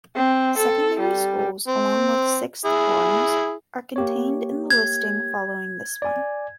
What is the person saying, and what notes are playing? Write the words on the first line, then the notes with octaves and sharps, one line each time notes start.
Secondary schools, along with sixth forms, are contained in the listing following this one.
C4
A4
G3
C4
E4 G#4
A#3 G4 C#5
G#6
D5 G#5